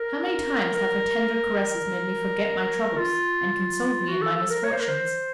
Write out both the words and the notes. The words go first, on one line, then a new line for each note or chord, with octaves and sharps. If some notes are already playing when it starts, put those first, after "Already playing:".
How many times have her tender caresses made me forget my troubles, and consoled me in my misfortunes.
Already playing: A#4
A#4
F4
F#4
A4
A4
A#4
C#5
C5
A#4
C5